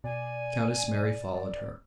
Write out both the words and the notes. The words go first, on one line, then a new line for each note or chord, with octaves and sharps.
Countess Mary followed her.
B2 D5 G#5